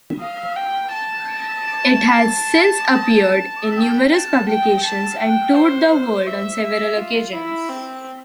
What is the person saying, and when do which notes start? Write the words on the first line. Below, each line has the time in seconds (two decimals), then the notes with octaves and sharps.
It has since appeared in numerous publications, and toured the world on several occasions.
0.21 F5
0.56 G5
0.92 A5
3.77 G5
4.13 A5
4.49 G5
4.84 A5
5.19 G5
5.55 C5
5.90 C5
6.27 E5
6.62 E5
6.98 F4
7.33 E4
7.69 C4